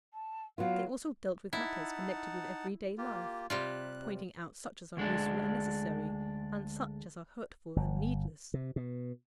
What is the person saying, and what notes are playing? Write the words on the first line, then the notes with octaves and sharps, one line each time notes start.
They also dealt with matters connected with every-day life, pointing out such as are useful and necessary, and such as are hurtful and needless.
A5
F#3 B3 F4 F5
D#4 E4 F#5 A5
A#3 F4 G4
C3 G3 F4 F#6
D2 G#3 D4
G1
C3
B2